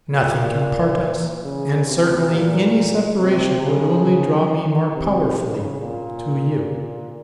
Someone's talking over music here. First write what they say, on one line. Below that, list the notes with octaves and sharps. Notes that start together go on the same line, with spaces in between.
Nothing can part us; and certainly any separation would only draw me more powerfully to you.
A#2
C#3
C3
A#2
C3
C#3
C3
C#3
A#2
A#2